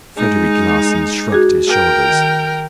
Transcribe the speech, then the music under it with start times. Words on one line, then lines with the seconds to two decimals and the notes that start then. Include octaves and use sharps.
Frederic Larsan shrugged his shoulders.
0.17 G#3 D#4
1.30 F#4 G#4 D6
1.68 A#4 G5
2.10 D#3